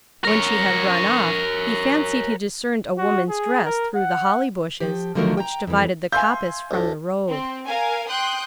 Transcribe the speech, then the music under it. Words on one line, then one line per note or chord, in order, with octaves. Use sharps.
When she had run off he fancied he discerned a woman's dress through the holly-bushes which divided the coppice from the road.
A#4 C#5
F#4
G#4
A#4
F#5
F3 G4
D3 D#3 F3 F#3 A3 A#4
G5 A#5
F2 E3
E5 F5 G#5 C6 G6
D2 A2
C4
A#4 F5 G#5
G5 C6 D#6 F#6 G6